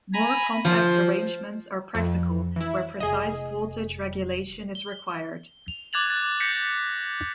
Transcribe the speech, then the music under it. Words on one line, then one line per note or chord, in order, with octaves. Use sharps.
More complex arrangements are practical where precise voltage regulation is required.
G#5 A#5 B5
F3 C5
F2
E3 E4
F1 G#4 D#5
G7
F7
D6 F#6 G#6 A6 F7 F#7
A6
G6 A#6 B6 C#7